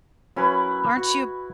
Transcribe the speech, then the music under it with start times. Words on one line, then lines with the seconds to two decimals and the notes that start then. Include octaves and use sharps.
Aren't you
0.36 F#3 C#4 E4 A#4 B4
0.97 F#4